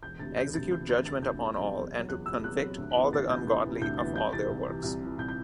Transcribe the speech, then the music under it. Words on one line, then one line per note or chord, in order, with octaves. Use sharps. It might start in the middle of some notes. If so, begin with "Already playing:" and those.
Execute judgment upon all, and to convict all the ungodly of all their works.
E1 G6
D2 C3 A6
E1 G6
D2 C3 A6
E1 G6
D2 C3 A6
E1 A6
D2 C3 G6
E2
C3 F#3
E2
C3 F#3
E2 F#6
C3 F#3 E6
E2 F#6
C3 F#3
D2
C3 E3 B3
D2 A6
C3 E3 B3 G6
D2 G6
C3 E3 B3
D2 G6
C3 E3 B3 A6
C2 G6
C3 E3 A6
C2
C3 E3
C2
C3 E3
C2 G6
G6